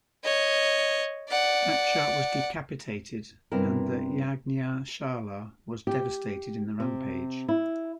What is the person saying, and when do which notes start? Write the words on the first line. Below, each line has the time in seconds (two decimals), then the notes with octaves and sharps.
Daksha was decapitated and the "yagnja shaala" was devastated in the rampage.
0.24 C#5 D#5
1.29 D5 F#5
3.52 G2 C3 B3 C4 E4 A#4
5.87 G4
6.80 C3
7.48 E4